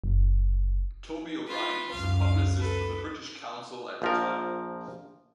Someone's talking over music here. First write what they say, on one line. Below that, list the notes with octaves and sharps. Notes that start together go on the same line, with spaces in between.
Toby O'Brien was a publicist for the British Council at the time.
F#1
F4 B4
C#2 F#2 F5
A4 B4
A#1 F3 A#4